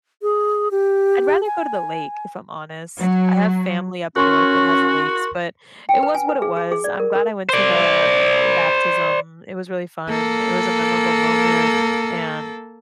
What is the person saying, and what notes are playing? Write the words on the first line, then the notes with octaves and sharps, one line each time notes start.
I'd rather go to the lake, if I'm honest. I have family up north that has lakes, but it was what it was. I'm glad I went to the, eh, baptism; it was really fun. It was a memorable moment, and
G#4
G4
G#5
F#3
C#4 F#4 A#4 C6 C#6
G5
B4
G#5
B4
G#4
G#4
G#4
D5
A#4
A#4
C5 D5
A#3 A4